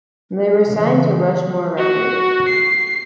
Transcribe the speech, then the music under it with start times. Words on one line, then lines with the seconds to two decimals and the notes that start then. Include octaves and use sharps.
They were signed to Rushmore Records.
0.68 C#3 E3
1.78 F#4
2.49 C7